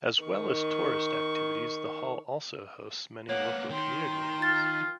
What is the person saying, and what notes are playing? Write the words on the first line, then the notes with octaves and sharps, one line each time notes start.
As well as tourist activities, the hall also hosts many local community events.
D#3 C#6
A#3 B3 C#5 F#5
D#3 G5 C6
F4 A6